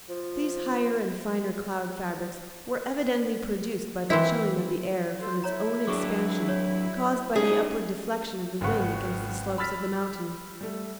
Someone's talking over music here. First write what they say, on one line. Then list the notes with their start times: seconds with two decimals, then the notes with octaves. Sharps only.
These higher and finer cloud fabrics were evidently produced by the chilling of the air from its own expansion caused by the upward deflection of the wind against the slopes of the mountain.
0.10 F3
4.10 E3 C4 E4
5.20 F4 A4 C5
5.44 E4 C#5 A#5
5.87 F#3 D4 G#4 C#6
6.48 C#5
7.36 C#4 D#4 G#4
8.61 G#1 C#3 B4 F#5 C#6
9.58 B5 E6 F6 A6 B6
10.61 G3 A3